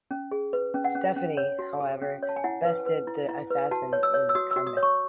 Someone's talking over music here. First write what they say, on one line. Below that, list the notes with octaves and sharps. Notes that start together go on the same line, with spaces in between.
Stephanie, however, bested the assassin in combat.
C#4
G#4
B4
C#4
F#5
C#4
C#4
C#5
F#4
A4
C#4
C#5
A5
G#5
E4 F#5
B4
B4
E4
E4
B4
F#4 A5
C#5
E6
C#5
E6
F#4 D#6
E6
F#4
D#6
C#5
C#6